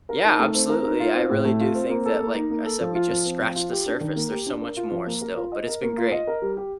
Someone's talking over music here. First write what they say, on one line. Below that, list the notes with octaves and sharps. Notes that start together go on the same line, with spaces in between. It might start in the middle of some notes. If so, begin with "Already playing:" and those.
yeah, absolutely. I really do think that, like I said, we just scratched the surface, there's so much more still; but it's been great.
A#4
D#4
A3
C4
A#4
D#4
F4
C4
A2
A3
F4
C4
A#3
A4
A#3
D#4
A#3
A4
F3
F4
F3
C4
F3
F4
G4
D4
D#3
A#3
G4
D4
A#4
F4
F3
A#3
A#4
F4
D#5
A#4
A#3
F4
D#5
A#4
G3
G4